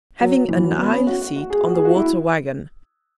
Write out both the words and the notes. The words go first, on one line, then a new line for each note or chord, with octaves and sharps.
Having an aisle seat on the water wagon.
F#3
E3
F#3
B3
C#4
F#4
F#4
F#4
G#4
F#4
G#4
F#4
E4